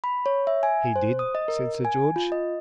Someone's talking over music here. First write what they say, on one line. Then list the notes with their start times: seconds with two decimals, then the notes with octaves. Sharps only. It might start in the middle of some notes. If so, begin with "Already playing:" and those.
"He did," said Sir George.
0.04 B5
0.26 C#5
0.47 E5
0.63 G#5
0.96 C5
1.19 D#6
1.35 D#5
1.48 A#4
1.85 G#5
2.16 F4
2.32 D#5